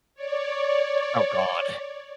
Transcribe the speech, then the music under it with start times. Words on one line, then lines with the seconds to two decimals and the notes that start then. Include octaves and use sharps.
Oh god.
0.15 C#5 D5